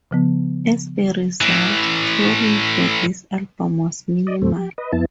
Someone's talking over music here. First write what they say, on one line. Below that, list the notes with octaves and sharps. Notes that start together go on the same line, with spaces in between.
As a result, touring for this album was minimal.
C#3 F3 B3
A2 E3
D5 D#5
D#2 A2 A3 C4
G4
B4 D#5
F2 B3 E4 A5